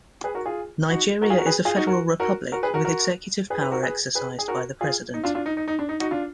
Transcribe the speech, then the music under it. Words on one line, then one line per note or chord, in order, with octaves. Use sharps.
Nigeria is a federal republic, with executive power exercised by the president.
G#4 B4
F#4 A#4
F4 G#4
D#4 F#4
F#4 A#4
F4 G#4
F#4 A#4
G#4 B4
F4 G#4
D#4 F#4
F#4 A#4
F#4 A#4
F#4 A#4
G#4 B4
F#4 A#4
F#4 A#4
G#4 B4
G#4 B4
F#4 A#4
G#4 B4
G#4 B4
G#4
F#4 A#4
F4 G#4
D#4
D4 F4
D4 F4
D#4
D#4
D#4
D4
D#4
D#4 F#4
D4 F4